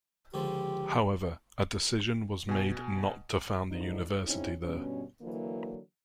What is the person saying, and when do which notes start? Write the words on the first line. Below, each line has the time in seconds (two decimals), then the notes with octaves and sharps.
However, a decision was made not to found the university there.
0.34 C#2 D3 F3 G4
2.49 B2 G#5
3.71 G#2 D3 E3 F3 D4 D#4
4.25 C#3 C4 C#4 D#4 E4
4.64 G2 B2 C#4
5.22 D3 E3 F#3 A#3